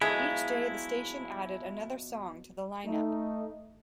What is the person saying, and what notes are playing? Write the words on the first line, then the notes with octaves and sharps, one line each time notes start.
Each day the station added another song to the line up.
B2 F3 F#3 G#3 E4
A3 D#4